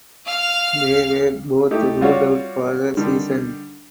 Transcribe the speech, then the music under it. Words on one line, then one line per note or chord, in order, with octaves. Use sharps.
They were both ruled out for the season.
F5 F6
A3 D#4 E4 G4
G3 F4 F#4 C#5 D5
D3 D#3 G3